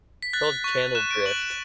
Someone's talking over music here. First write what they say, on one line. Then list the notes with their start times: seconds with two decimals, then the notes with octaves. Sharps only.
it's called Channel drift.
0.22 B6
0.33 F#6 A6
0.64 C#6
0.95 F#6 E7
1.11 D7
1.26 C#6 F#7
1.42 E7